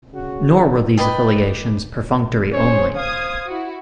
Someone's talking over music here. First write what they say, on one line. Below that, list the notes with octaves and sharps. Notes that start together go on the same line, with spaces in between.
Nor were these affiliations perfunctory only.
C#3 F#4
B4 D5 D#5 G5
C#4 G#4 C5 C#5
C5 F5 D#6 G#6
E4 F#4